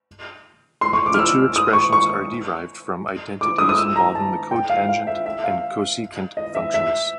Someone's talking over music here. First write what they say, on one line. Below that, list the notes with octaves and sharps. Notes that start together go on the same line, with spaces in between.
The two expressions are derived from identities involving the cotangent and cosecant functions.
C6
C#6
D6
F6
E6
D#6
C#6
C#6
D6
D#6
D#6
E6
A#5
A5
G5
F5
F5
E5
E5
F5
D#5
E5
E5